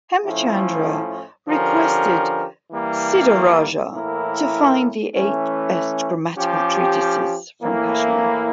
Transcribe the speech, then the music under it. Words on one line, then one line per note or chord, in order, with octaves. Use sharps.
Hemachandra requested Siddharaja to find the eight best grammatical treatises from Kashmir.
A2 F3 A3 C#4 E4
D3 F3 C#4 G4 A#4
E3 G3 A#3
A2 E3 A#3 E4 A#4
E3 A3 C#4
F3 C#4 G4
A2 E3 A#3 E4